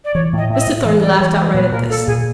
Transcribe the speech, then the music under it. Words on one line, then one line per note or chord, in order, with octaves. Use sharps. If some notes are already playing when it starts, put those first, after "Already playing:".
Mr. Thornton laughed outright at this.
D5
E3 C#5
A2 D#5
A2 E5
D#5
A2
E3 D#5
G#3 D5
E3 C#5
G#3
A#2 B4
A#2 A#4
A#3 A4
A#2 G#4